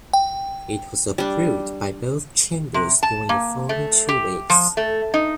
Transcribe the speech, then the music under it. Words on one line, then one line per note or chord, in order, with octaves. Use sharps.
It was approved by both chambers during the following two weeks.
G5
G3 D4
C3
A5
A#3
A3
G4
F3
A3
D#4